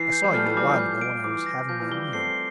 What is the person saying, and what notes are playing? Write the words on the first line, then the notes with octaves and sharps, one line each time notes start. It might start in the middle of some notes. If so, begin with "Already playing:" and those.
"I saw you a while ago, when I was having my meal."
Already playing: E3 C7
G6
G3
F3 A3 F6
E3 G3
E3 G3 D6
F3
G6
D7
E3 D6
A#6
F3 G6
E3
E3 G3 G7
A3 C4 C7